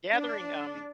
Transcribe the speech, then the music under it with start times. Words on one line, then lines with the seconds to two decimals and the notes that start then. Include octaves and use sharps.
Gathering um
0.15 D4